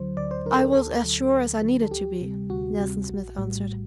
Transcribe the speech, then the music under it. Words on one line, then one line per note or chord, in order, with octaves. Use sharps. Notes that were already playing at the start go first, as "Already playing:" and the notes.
"I was as sure as I needed to be," Nelson Smith answered.
Already playing: D2 D3 F#3 C5
D2 D5
C5
D3 F#3 A#4
A4
A#4
D2 A4
D3 F#3
D2
D3 F#3
A4
D2 G4
C3 G3
D2 F#4
C3 G3
A#1
A2 G3